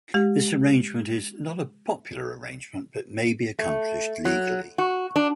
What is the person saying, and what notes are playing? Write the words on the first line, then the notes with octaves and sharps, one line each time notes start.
This arrangement is not a popular arrangement but may be accomplished legally.
G#3 G4
A3
F#3
F#4
D4